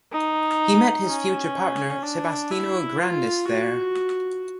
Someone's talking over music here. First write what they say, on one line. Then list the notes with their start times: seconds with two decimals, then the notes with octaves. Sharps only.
He met his future partner Sebastiano Grandis there.
0.12 D#4
1.07 C#4
2.03 D4
2.51 E4
2.98 F4
3.46 F#4